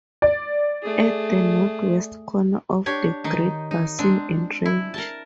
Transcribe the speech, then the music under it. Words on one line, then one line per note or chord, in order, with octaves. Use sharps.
At the northwest corner of the Great Basin and Range.
D5
A3 G#4
D4 G4 C#5
D#3 D#4
D#4
G#3 C4 D4
E4
A#4 A5